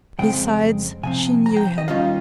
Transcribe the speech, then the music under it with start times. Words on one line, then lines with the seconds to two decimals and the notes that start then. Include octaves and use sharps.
Besides, she knew him.
0.19 F2 C#3 G#3 C4 G5
1.03 C3 F3 C4 G#5
1.46 A#5
1.57 G5
1.78 D#5
1.88 D#2 D#3 G3 C#4 F4 F5